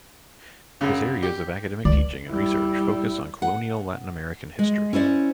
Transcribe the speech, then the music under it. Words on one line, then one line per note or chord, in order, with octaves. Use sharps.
His areas of academic teaching and research focus on colonial Latin American history.
F#2 C#3
G4
C#2 D5
G3 E4
F#5
G#3
C#4 E4 C5 D5